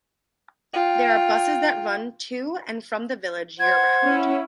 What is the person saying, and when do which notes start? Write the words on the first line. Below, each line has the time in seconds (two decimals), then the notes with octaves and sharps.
There are buses that run to and from the village year-round.
0.73 F4 G5
3.60 C5 F#5 G#6
4.05 C#4 E4